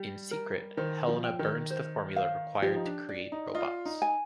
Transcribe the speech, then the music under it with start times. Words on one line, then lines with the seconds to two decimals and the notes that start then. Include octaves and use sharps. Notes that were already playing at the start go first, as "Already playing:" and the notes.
In secret, Helena burns the formula required to create Robots.
Already playing: G3 G4
0.31 A#4
0.77 D#3 C5
1.08 F3
1.24 G5
1.39 D#3
1.70 C5
2.16 F5
2.62 F3 G4
2.76 D#4
2.86 D4
3.09 D5
3.32 D#4
3.55 F4 D#5
3.86 D#4
4.02 G#5